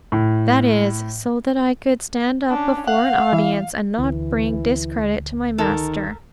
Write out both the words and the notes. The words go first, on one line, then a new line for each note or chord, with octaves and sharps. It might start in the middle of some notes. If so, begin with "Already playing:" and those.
That is, so that I could stand up before an audience and not bring discredit to my Master.
A2
C#4 D4
F5 F#5
E3
D2 E3
D#3 A4 A#4